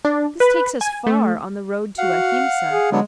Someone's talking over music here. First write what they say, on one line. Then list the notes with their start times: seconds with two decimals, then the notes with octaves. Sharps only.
This takes us far on the road to Ahimsa.
0.05 D4
0.40 B4
0.81 G#5
1.06 A3
1.98 F#4 F5 F#5
2.70 G#4
2.92 D3 F#3 G#3 B3